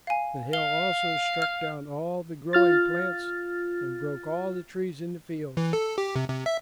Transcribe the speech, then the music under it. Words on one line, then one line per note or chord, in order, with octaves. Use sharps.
The hail also struck down all the growing plants and broke all the trees in the fields.
F5 G#5
F5 G7
F6
F4 F6 A6
E3
A4
G4
C3
C3
E5